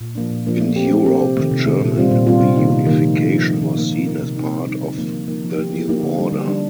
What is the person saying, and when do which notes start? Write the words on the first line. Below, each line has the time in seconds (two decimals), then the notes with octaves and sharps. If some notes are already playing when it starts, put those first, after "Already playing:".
In Europe, German reunification was seen as part of the new order.
0.01 A#2
0.15 F3 A#3 D4
0.30 A#2
0.46 F3 A#3 D4
0.60 A3
0.76 C4 G4
0.91 A3
1.06 C4 G4
1.21 C3
1.37 D#3 A3
1.51 C3
1.66 D#3 A3
1.81 A#2
1.96 G3 C4 F4
2.11 A#2
2.27 G3 C4 F4
2.41 C3
2.56 D#3 A#3 D#4
2.72 C3
2.86 D#3 A#3 D#4
3.02 F3
3.16 A3
3.22 D#4
3.32 F3
3.47 A3 D#4
3.62 D#3
3.77 A#3 D#4 A#4
3.92 D#3
4.07 A#3 D#4 A#4
4.22 C3
4.37 G3 C4 D#4
4.52 C3
4.67 G3 C4 D#4
4.83 D3
4.97 F3 A#3 D#4 A#4
5.13 D3
5.27 F3 A#3 D#4 A#4
5.43 F3
5.58 A#3 D#4 G4
5.73 F3
5.88 A#3 D#4 G4
6.03 D3
6.18 G3 D4
6.33 D3
6.48 G3 D4